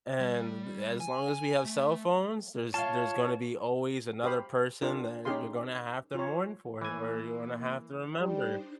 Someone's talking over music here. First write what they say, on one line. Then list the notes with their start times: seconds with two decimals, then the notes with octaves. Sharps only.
And as long as we have cell phones, there's there's gonna be always another person that you're gonna have to mourn for, or you're gonna have to remember.
0.20 G3
1.00 G#5
1.65 A3
2.74 F4 C#5 F5 A5
4.24 G4 C5 F5 B5
4.82 D4 F4 A#4
5.25 C#4 D#4 G4 G#4 F5 C6
6.15 F4 C#5
6.81 E3 A#3 G#5
8.20 G3 D4 D#4 C5